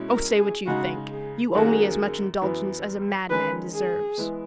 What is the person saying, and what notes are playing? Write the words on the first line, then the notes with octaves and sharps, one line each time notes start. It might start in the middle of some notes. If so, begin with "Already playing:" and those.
"Oh, say what you think; you owe me as much indulgence as a madman deserves."
Already playing: B2 G#3 C#4 E4
A#4
G#4
C#3 G#3 D#4 F#4
G#4
F#2 D#3 A#3 C#4 F#4 G#4
F#2 E3 B3 E4
D#3 G#3 C#4 B4
G#4
E3 G#3 B3 E4